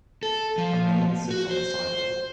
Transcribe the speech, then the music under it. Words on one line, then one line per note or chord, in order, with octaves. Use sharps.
A man sits on a sidewalk.
A4
F3
F#4
C5